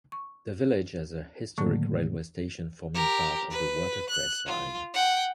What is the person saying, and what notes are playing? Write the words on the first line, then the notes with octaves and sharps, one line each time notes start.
The village has a historic railway station forming part of the Watercress Line.
C#6
A2 D3 D#3 F#3 A3 A#3
G4 A#4
B4
F#6
F4
F#5 G5